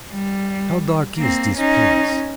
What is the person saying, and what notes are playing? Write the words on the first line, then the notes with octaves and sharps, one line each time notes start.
How dark is this place!
G3
A#3 C4
C#4 D#4